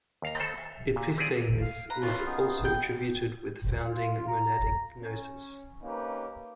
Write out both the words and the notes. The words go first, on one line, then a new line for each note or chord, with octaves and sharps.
Epiphanes was also attributed with founding Monadic Gnosis.
D#2 F5 A#5
A4 C5
E5
A#2
C4 G4 G#4 D5
F5
B4 A#5
C#4 F4
B3 D#4 G#4
G5
F4
A#5
C#4
A#3 C4 C#4 D#4 G4 B4